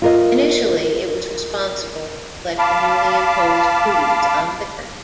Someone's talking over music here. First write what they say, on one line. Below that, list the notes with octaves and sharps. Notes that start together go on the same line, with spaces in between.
Initially it was responsible to collect the newly imposed duties on liquor.
F4 A#4 D#5
F5 A5 B5 D6